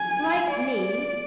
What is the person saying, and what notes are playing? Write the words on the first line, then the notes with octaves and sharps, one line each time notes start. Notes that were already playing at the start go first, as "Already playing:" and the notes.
Like me!
Already playing: G#5
D5